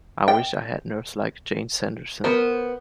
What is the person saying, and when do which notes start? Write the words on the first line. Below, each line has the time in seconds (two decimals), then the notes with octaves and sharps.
I wish I had nerves like Jane Sanderson.
0.28 G5
2.24 B3 A#4 C5